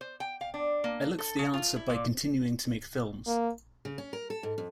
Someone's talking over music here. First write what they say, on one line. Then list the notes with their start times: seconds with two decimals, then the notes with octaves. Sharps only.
I look for the answer by continuing to make films.
0.01 C5
0.20 G5
0.41 F5
0.54 D4
0.84 A#3
1.19 A4
1.39 C#3
1.54 F4
1.76 E4
1.90 A#2
3.27 A#3
3.85 C#3
3.98 C#4
4.13 A#4
4.30 A4
4.43 G#2
4.58 F2